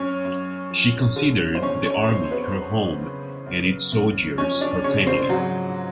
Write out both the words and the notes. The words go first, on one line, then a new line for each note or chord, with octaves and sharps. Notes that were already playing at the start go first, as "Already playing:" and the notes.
She considered the army her home and its soldiers her family.
Already playing: F#2 C#4 C#5
F#2
F3
D3
C5
E2 C#4 C#5
C#4 C#5
E2 C4 C5
B3 B4
F#3
C#3
F#2
F#2
F3 C#4 C#5
D4 D5
C#3 C#4 C#5
C4 C5
G#2 F#3 F#4